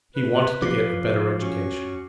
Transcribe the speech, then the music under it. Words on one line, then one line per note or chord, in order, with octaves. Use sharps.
He wanted to get a better education.
B4
F3 D6 C7
C#4 F#4 C#6